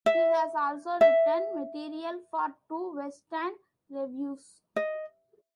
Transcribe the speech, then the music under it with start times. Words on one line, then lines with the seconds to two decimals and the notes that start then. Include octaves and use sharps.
He has also written material for two West End revues.
0.06 E5
1.01 E5
4.76 D#5